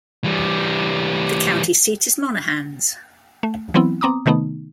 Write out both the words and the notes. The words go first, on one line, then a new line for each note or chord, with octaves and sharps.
The county seat is Monahans.
E3 G3
A3
E3 F#3 B3 C4 E4
B3 C4 A#5 D6 D#6
C3 D#3 A3 B3 D#4